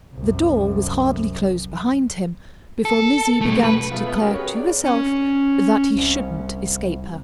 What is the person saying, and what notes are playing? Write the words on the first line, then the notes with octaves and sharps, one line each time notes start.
The door was hardly closed behind him before Lizzie began to declare to herself that he shouldn't escape her.
C2 F#2
A4
B1 A3
B4
A3 B3 F4
B3
C#4 F#4 G4 A#4
G#4 B4 C#5
D5
C#4
C2